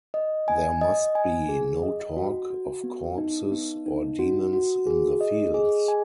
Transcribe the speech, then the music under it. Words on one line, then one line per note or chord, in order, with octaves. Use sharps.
There must be no talk of corpses or demons in the fields.
D#5
G#5
D#5
G#5
G#4
D#5
F#4
F#4
B3
D#4
B3
D#4
F#4
F#4
G#4
D#5
G#4
G#5